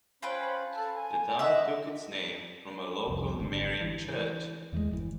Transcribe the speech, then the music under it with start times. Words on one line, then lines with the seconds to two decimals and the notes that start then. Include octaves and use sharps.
The town took its name from a local Marian church.
0.22 C#4 F4 B4 C5 G5 B5
0.72 A4 A5
0.93 G#5
1.39 D#5 E5 F#5
3.07 C2 F2
3.39 G#1 D3
3.81 E3
4.72 E2 E3 G3 G#3
4.91 G1 E3